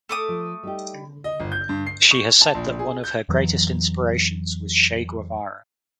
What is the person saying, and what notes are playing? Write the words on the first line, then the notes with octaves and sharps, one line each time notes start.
She has said that one of her greatest inspirations was Che Guevara.
A3 D6 D#6
F3
G3 D#4 G4
D#5
G1
G6
G2
C7
C#6
A5
A#1
G#4
G6
F2 E3 F#3